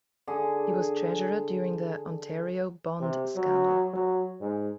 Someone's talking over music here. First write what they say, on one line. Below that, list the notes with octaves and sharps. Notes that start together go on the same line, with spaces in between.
He was treasurer during the Ontario Bond Scandal.
D3 G#4
C3
F#3
F#3
G#2